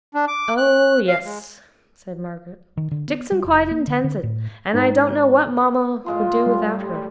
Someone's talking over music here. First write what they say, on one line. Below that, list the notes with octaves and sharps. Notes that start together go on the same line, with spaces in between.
'Oh, yes!' said Margaret. 'Dixon quite intends it, and I don't know what mamma would do without her.'
D4
D6
F#6
F5
G#3
D#3
D3
B3
G3
F1
A#3
D3
D3
A2
G#2
A2 G#3 F4 C6
G3